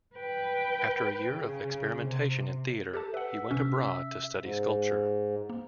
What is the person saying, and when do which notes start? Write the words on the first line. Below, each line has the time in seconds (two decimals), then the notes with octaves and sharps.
After a year of experimention in theatre, he went abroad to study sculpture.
0.16 B4 G5
1.28 C#3
2.04 C3
2.94 G4 A4 A5
3.14 B4 E5 F#5
3.51 C3 C#4
4.40 G#2
5.50 A#3